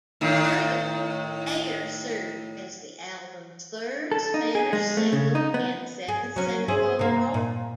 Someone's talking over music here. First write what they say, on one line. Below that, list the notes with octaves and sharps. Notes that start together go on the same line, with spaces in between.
Further, "Ayer" served as the album's third Spanish single and seventh single overall.
A2 D#3
A4
D#4
G#4
G#3
A3
C#3
D#4
B3
G#4
F#3 C#4
E4 G#4 C5
C3 A#3
A#2